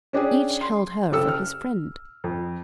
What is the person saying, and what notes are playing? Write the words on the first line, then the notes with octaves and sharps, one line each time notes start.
Each held her for his friend.
C#4 D4 G4 G#4
C6
F#1 C#3 G4 A4 E6
F6
F2